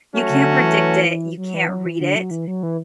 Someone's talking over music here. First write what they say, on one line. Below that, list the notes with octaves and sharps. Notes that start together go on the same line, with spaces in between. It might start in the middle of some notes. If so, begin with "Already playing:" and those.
you can't predict it, you can't read it,
F#3 A3 C#4 F#4
C#3
D3
E3
F#3
E3
F#3
E3
D3
F#3
E3
F#3
E3